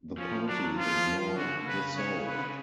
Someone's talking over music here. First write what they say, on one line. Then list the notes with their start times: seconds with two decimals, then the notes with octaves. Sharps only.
The party is now dissolved.
0.18 F3 C#4
0.48 F#3 D4
0.77 F3 F4
1.36 D3 F#4
1.46 C#3
1.56 D3
1.67 C#3 B4
1.97 C#3 C#5
2.26 D3 B4
2.44 C#3